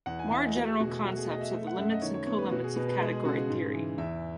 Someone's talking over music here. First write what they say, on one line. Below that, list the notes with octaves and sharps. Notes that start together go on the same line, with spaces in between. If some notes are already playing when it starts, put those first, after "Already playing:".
More general concepts are the limits and colimits of category theory.
E2 F#5
G#5
E2 E5
D#5
A3 F#4
G#4
B2 F#4
G#4
A3 F#4
G#4
A3 D#5
E5
A3
F#5
F#2 E5
D#5
D#3 C#5
C#5
B3 C#5
B4
B2 F#4
G#4
B2 B4
B4
G#3 G#4
G#4
C#3 F#4
G#4
G#2
E3
E2 E5